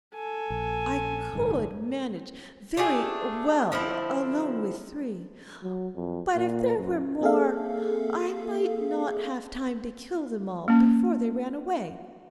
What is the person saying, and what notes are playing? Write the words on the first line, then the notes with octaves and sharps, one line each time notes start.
'I could manage very well alone with three, but if there were more, I might not have time to kill them all before they ran away.'
A4 G#5
A#1
F#1 G#2 D#3
A3 D4 G4 G#4
D3 F3 C4 E4
F#3
F2
A#2
F#2
A#3 C4 G#4 A4 E5 F5
A#3 C#4